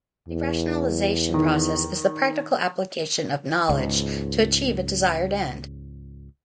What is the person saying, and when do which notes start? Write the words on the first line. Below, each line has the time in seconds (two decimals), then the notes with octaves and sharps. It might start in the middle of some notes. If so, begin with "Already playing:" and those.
The rationalization process is the practical application of knowledge to achieve a desired end.
0.28 E2
1.34 D#3
3.69 C#2 G#2